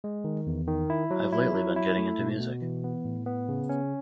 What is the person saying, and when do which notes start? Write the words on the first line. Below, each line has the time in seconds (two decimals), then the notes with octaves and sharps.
I've lately been getting into music.
0.04 G#3
0.24 D#3
0.47 E2
0.67 D#3
0.90 E4
1.11 F#3
1.33 E4
1.54 F#3
1.76 E4
1.98 A3
2.19 B2
2.40 B2
2.62 E3
2.84 B3
3.05 A2
3.26 B3
3.49 C#3
3.69 C#4